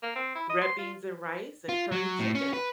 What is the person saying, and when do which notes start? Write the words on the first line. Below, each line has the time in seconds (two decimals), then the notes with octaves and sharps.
red beans and rice and curry chicken,
0.03 A#3
0.16 C4
0.35 E4
0.50 D#5
0.62 C6
0.79 F4
1.69 F4
1.92 F#3
2.19 A2
2.35 C#4
2.53 B4